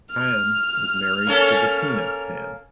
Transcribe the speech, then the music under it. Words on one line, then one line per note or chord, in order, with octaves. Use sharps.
Kamm was married to Bettina Kamm.
F6
A#3 C#4 A4